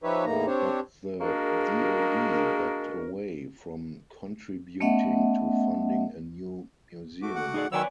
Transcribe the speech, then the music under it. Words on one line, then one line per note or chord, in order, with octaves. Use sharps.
But the DoD backed away from contributing to funding a new museum.
F3 D#4 G4 B4 C#5 E5
E2 A2 E3 A#3 D#4 A#5
C4 D4 G4 C5 C#5
G#3 A#3 D4 F#4 G#4 A#4
A3 B3 C#4 D#5 E5 F#5
A3 F#4 D6
F#5
D#4 G#4 D5
D#3 F#3 B4 C#5 D5 F#5 G#5 E6